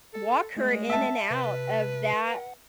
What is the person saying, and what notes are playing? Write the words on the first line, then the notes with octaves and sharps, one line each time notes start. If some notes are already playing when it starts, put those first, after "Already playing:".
walk her in and out of that
A4
G#3 A3
E5 A5
C3 B4
F#5